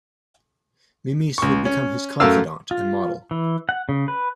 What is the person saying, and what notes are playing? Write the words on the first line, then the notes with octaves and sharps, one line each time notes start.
Mimise would become his confidant and model.
C#2 C#6
C#4
F#2 A3 A#4 F5 E6
F4
E3
F#5
C#3
B4